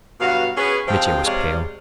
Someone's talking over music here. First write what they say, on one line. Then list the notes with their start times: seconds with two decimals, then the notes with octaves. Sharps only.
Mitya was pale.
0.20 G2 B2 F#3 F#4 F5
0.57 B3 C#4 G#4 B4 C#5
0.86 C3 F3 G#3 C4 F5 G5
1.25 C3 G#3 C#5 D5 F5